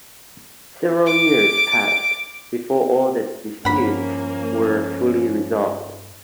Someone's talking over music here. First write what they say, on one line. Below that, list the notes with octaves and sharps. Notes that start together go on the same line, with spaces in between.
Several years passed before all the disputes were fully resolved.
D6
G2 F3 A#3 C#4 F#5 B5